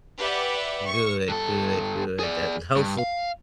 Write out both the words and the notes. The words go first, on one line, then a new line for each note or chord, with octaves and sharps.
Good, good, good, that hopeful
G4 B4 D5 E5 F#5
C#6
G2 A4
G#4 D5
G2
F5